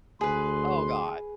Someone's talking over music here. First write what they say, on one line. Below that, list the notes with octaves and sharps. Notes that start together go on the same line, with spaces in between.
Oh god.
D2 G#4 B4 C6